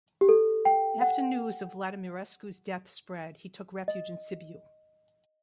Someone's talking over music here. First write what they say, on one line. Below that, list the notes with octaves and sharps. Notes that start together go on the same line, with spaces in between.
After news of Vladimirescu's death spread, he took refuge in Sibiu.
G4
A4
G5
F#5
D#5